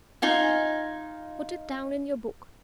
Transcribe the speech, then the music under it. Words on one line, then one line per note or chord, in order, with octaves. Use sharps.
"Put it down in your book."
D#4 F4 G#5